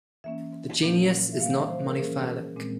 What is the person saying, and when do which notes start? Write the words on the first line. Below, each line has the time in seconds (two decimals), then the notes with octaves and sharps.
This genus is not monophyletic.
0.24 E3 A#3 C#4 E5
0.83 A#2 F3 A#3 C#4
1.32 E5
1.40 E3 G3 A#3 F5
1.55 E5
1.69 C5
1.84 A#4
1.98 E3 A#3 C#4 G#4
2.56 A#2 G#3 C4